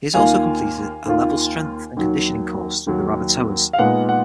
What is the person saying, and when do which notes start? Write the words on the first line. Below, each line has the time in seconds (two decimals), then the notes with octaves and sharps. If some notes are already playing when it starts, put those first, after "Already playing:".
He has also completed a level strength and conditioning course through the Rabbitohs.
0.14 D#2 D#3 A#3 F4 F5 G#5
1.05 D#2 D#3 A#3 F4
1.97 D#2 D#3 F#3
2.87 D#2 D#3 F#3
3.73 F5
3.79 A#2 G#3 B3 D#4 F#5
4.09 F#5